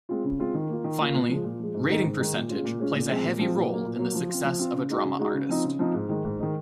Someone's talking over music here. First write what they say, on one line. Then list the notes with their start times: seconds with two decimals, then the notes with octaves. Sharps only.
Finally, rating percentage plays a heavy role in the success of a drama artist.
0.09 G#3 C4 F4
0.24 C#3
0.39 G#3 C4 F4
0.54 D#3
0.69 A#3 F4
0.84 D#3
0.99 A#3 F4
1.14 A#2
1.29 F3 G#3
1.44 A#2
1.59 F3 G#3
1.74 G#2
1.89 D#3 G#3 D#4
2.04 G#2
2.19 D#3 G#3 D#4
2.34 A#2
2.49 G#3 C#4 F4
2.64 A#2
2.79 G#3 C#4 F4
2.94 A#2
3.09 F3 G#3 C4
3.24 A#2
3.39 F3 G#3 C4
3.54 A#2
3.69 F#3 A#3
3.84 A#2
3.99 F#3 A#3
4.14 F3
4.29 C4 F4
4.44 F3
4.59 C4 F4
4.74 C#3
4.89 G#3 D#4 F#4
5.04 C#3
5.19 G#3 D#4 F#4
5.34 C#3
5.49 F3 C4 D#4
5.64 C#3
5.79 F3 C4 D#4
5.94 G#2
6.09 D#3 G#3 D#4
6.24 G#2
6.39 D#3 G#3 D#4